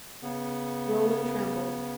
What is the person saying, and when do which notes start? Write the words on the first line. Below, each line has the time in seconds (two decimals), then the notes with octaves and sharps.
Rollin trembled.
0.22 C#3 B3